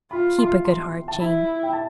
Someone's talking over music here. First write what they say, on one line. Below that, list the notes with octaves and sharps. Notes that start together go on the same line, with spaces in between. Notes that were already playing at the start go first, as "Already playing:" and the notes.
'Keep a good heart, Jane.
F4 B5
C6
C6
A5
E4 B5
G5
A5